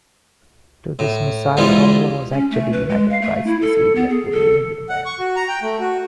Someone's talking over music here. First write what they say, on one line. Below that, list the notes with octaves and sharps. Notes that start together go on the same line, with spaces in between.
To this Messiah, however, was actually united Christ the Saviour, who redeemed men.
A2
E2 E3 F3 G3 G#3
C#4
A3
B4
G#3
F5
A3
E4
A4
B3
G#4
A4
F#5
C#6
F#4
A#5
G5
A3
F#4